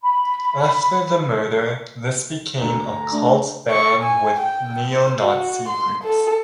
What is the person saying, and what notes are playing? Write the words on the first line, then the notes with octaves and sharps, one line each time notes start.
After the murder, this became a cult band with Neo-Nazi groups.
B5
D2 A#5
A3 D4
C#6
G#5
G5
C5
F#4
C6
A4